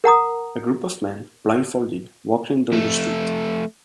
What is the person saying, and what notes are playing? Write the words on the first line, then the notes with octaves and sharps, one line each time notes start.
A group of men, blind folded, walking down the street.
A#4 F#5 A#5 D#6
F2 A3